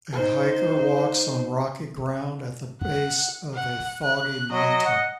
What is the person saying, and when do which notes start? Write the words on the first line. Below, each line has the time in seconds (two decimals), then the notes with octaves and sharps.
A hiker walks on rocky ground at the base of a foggy mountain.
0.12 D#4 C5
2.81 F#5
3.54 F#5
4.02 F#6
4.52 F#3 D#5
4.85 F#5